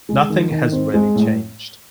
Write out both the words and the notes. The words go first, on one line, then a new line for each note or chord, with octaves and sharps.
Nothing has really changed.
G#3
D#3
D#3
C4
G#3
A2